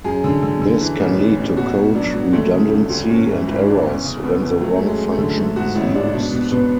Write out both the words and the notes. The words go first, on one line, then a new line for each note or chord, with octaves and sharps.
This can lead to code redundancy and errors when the wrong function is used.
F#2 G#4
D3
D3
D3
E3
A1
E3
A1
B2 F#4
B2
F#3 D4
F#3
D2 A3
C#3
E1 A3
D2
G#1 C#4
E3 E4
G#1 E4
E4
E3 D4
E2 C#4
C#3
E2 B3
E2
F#3 A3
F#2 A3
G#3
F#2
A3
D3
G#2 A3
G#2 F#4
A1 E4
G#2 D4
B2 D4
B2
B2 B3